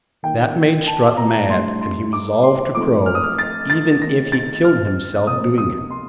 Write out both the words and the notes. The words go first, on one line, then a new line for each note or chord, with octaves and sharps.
That made Strut mad, and he resolved to crow, even if he killed himself doing it.
D#3 A#3 D#4 G5
A5
A#5
A2 G3 D4 C6
C6
D6
C6
F3 A3 C4 D#4 D6
F6
D#6
F6
A6
A6
D#3 A3 C4 A#6
A6
F6
C3 F3 A#3 D#6
D#6
C6